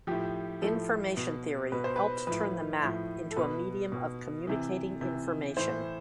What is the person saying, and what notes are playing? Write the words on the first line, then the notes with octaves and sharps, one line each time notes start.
Information theory helped turn the map into a medium of communicating information.
A2 F3 G4
A2 F3 A4
B2
B2 B4
C5
B4
A2 F3 B4
A2 F3
A4
B2 B4
B2
C3 E3
C3 E3
A2 E3 C5